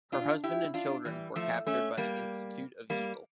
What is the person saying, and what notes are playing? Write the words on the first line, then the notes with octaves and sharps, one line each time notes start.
Her husband and children were captured by the Institute of Evil.
D4 F4
E4 G4
D4 F4
E3 G3
F3 A3
A3 C#4
G3 A#3
G3 A#3